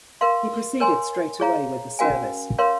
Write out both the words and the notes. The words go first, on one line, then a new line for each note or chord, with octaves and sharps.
He proceeded straightaway with the service.
A#4 F5 C6
A#4 C#5 G#5 C6
G#4 C#5 F5 A#5
C#4 F#4 A#4 F5 G#5
A#4 C#5 F5 C6